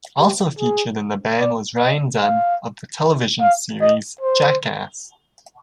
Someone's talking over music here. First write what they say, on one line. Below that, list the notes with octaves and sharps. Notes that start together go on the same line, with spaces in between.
Also featured in the band was Ryan Dunn of the television series Jackass.
G4
G#4
D5
D#5
F5
F5
D#5
C5